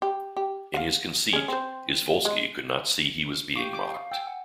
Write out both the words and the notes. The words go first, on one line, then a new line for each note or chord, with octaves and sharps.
In his conceit, Izvolsky could not see he was being mocked.
G4
G4
F5 F#5
C#4 G#4
C4 C5
G#3
G4 F5 C#6 D6
D6
G5 G#5 E6
F#5